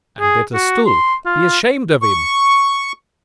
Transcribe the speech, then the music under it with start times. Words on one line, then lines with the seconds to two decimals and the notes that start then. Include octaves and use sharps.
And better still: be ashamed of him!
0.21 G#4
0.54 F#4
0.87 C6
1.26 F4
2.02 C#6